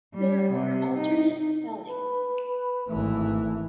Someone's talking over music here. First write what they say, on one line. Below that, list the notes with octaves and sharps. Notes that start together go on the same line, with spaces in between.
There are alternate spellings.
G3
C3
D#4
B4
G#1 E3 A3